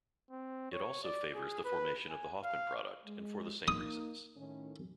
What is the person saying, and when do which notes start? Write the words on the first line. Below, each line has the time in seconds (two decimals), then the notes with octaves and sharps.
It also favors the formation of the Hofmann product, and for the same reasons.
0.31 C4
0.72 C#5
1.04 D5
1.35 G#4
1.65 B4
2.09 G#5
2.44 F5
3.05 G#3
3.68 A#3 D#4 D#6
4.36 A2 D#3 C#4